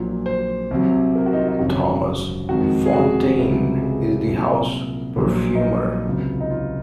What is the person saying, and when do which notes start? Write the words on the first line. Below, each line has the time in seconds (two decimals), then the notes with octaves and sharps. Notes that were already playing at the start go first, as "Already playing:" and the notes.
Thomas Fontaine is the house perfumer.
Already playing: A#1 A#2 F#3
0.26 C5
0.71 C2 C3 F#3
1.15 A#4
1.26 F#4
1.33 D#4
1.37 F4
1.48 D#4
1.59 G#1 F#2 C#3 F3 F#4
2.49 F2 D#3 G#3 F#4
2.86 G#4
2.93 F#4
3.38 C#2 C3 F3 G#3
3.83 G#4
4.27 C2 A#2 F#3
5.16 A#1 A#2 F#3
5.55 D#4
5.61 F4
6.06 C#2 C3 F#3
6.40 D#4
6.50 F4